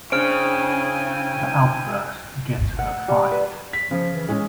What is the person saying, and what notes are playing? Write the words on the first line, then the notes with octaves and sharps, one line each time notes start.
The outburst gets her fired.
C#3 D4 E4 C5 G5 G#5 F6 D7
F#5
G3
B4
B6
C#3 F3
E3
A2 G#3 C#4